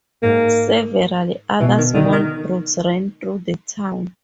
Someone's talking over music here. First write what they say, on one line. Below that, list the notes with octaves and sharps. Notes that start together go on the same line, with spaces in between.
Several other small brooks run through the town.
G#2 A#3
B2 E3
D#3
D3 D#3
D#3